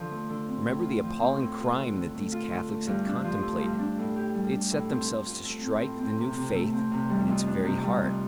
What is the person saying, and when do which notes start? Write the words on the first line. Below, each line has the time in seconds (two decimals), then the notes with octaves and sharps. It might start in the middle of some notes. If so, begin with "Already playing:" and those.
Remember the appalling crime that these Catholics had contemplated; they had set themselves to strike the new Faith in its very heart....
Already playing: D3 F3 D4
0.11 A3
0.30 D3
0.48 C4
0.67 A2
0.85 F4
1.04 F3
1.21 C4
1.40 A2
1.58 F4
1.77 D3
1.96 D3
2.14 A3
2.32 F4
2.50 D3
2.68 A3
2.87 G2
3.06 D4
3.24 F3
3.42 A3
3.60 G2
3.79 D4
3.98 A2
4.16 G4
4.35 G3
4.53 D4
4.71 A2
4.89 C4
5.08 A2
5.26 F4
5.45 A3
5.63 C4
5.81 A2
5.99 C4
6.18 C3
6.37 C3
6.54 A3
6.73 C4
6.91 C3
7.10 G3
7.28 F2
7.46 D4
7.65 C3
7.83 G3
8.02 F2